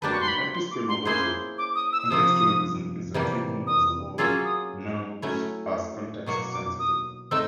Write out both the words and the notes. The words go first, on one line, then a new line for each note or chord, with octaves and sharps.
In epistemology, contextualism is the treatment of the word 'knows' as context-sensitive.
F#3 A#3 D4 G4 B4 A5
C#6
C6
B5
C6
D6
C6
A#3 C#4 E4 G#4 C5 C6
D6
D#6
E6
E6
C3 F3 A#3 D#6
C3 E3 G3 A#3
D#6
F#3 A#3 C#4 F4 G#4 E6
D#6
F#3 A3 C#4 E4
B2 F#3 A#3 C#6
D6
D#6
A3 C4 D#4 E6